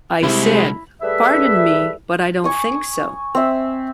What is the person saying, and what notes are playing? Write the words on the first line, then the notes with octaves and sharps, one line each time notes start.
I said 'Pardon me, but I don't think so.
C2 C3 G#3 E4
G3 A3 G#4 B4 E5
G#5 C#6 D#6
C4 E5